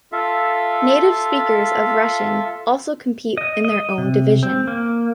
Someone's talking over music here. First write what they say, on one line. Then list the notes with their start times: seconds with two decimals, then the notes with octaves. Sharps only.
Native speakers of Russian also compete in their own division.
0.12 F4 A4 E5 F5
3.37 D#5
3.64 D#5
3.98 C3
4.43 C4
4.67 A#3